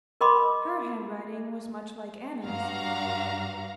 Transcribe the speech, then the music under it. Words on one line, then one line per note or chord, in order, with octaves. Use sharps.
Her handwriting was much like Anna's.
A#4 D#5 B5 C6 D6
G2 F#4 F5 A#5